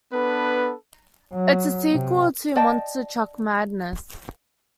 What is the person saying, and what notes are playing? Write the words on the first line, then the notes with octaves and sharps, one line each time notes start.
It's a sequel to "Monster Truck Madness".
B3 D4 A4 B4
F#3
C3
D5 D#5 G5 A5